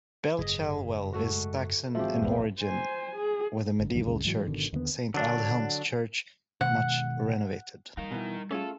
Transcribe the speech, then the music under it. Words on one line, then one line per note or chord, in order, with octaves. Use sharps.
Belchalwell is Saxon in origin, with a medieval church, Saint Aldhelm's Church, much renovated.
F#1 G#2 G#4 D#5
G#3 A3 F#4
G#1 F3 G#3 F#4 G4 E5
E1 B1 F2 B3
C5 G#5
G#4
G1
A#1 G2 D#3 E3
C#2 F#2 C#3 G#3
G#2 E3 F#3
G#1 B2 D3 D#3
D#2 D3 D#3 B3
D3 F#3 D4
B2 D#3 G#3 F#5
G3 D#4 A#4 F5
B2 E3
A3 C#4 F4 G#4 A4